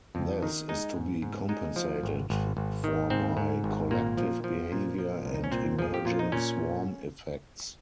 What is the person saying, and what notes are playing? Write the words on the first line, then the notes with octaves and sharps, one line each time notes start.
This is to be compensated for by collective behavior and emerging swarm effects.
F2 C4
D#3 D#4
G#3 D#4
G#2
G#2
G#3 D#4
F3
G#1
G#1
G#1
D#3
G#2 C4
G#2
G#1
A#2 A#3
F3
F3
A#2
F3
C2
D#4
C#4
A#2 C4
F3 G#4
G4
A#2 F4
D#4
A#2 C#4